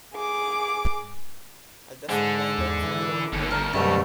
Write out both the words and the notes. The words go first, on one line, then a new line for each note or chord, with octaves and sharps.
I'll just apply that to your order.
G#4 D6
G#2 D3 D4
E2
E3
G1 D#2 D3
D2 A#4 A5
C2 F#2 B2 G3 A3 A5